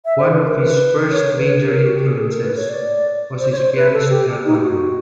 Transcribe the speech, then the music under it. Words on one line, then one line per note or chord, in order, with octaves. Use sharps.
One of his first major influences was his pianist grandmother.
E5
C5
B4
A#4
B4
C#5
B4
A#4
F#4
G4
G#4
A4
A#4
B4
C#5
D5
C5
C#5
C5
B4
A4
G4
D#4
G4
F#4